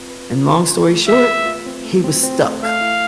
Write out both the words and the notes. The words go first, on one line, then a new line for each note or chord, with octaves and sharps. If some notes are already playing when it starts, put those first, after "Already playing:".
and long story short, he was stuck.
Already playing: C4 F4 B4
B4
F4
F4
F4
A3
B4 E5
B4
F4
C4
A3
C4
C4
A3
A3 F5
E4